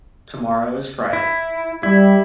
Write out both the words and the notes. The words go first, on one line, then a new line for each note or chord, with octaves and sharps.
Tomorrow is Friday.
E4
G3 E4